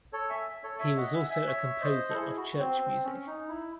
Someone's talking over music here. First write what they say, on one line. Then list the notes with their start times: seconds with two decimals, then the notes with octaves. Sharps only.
He was also a composer of church music.
0.13 A4 C#5
0.30 E5 G#5
0.63 A4 C#5
0.79 C#5 E5
0.96 D#5 F#5
1.13 E5 G#5
1.30 E5 G#5
1.47 C#5 E5
1.80 C5 D#5
2.10 A4
2.14 E4 G#4
2.37 F#4
2.60 C4
2.81 C4
3.04 C#4
3.27 D#4
3.48 E4